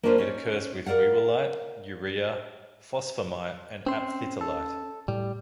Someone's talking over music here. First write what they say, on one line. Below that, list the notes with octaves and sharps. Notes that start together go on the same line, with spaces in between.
It occurs with whewellite, urea, phosphammite and aphthitalite.
A#3 C#4 D4 F4 B4 C5
C#4 D#4
A#4 C5 D5 F5 F#5
C4 C#4 C5
A4
A2 G3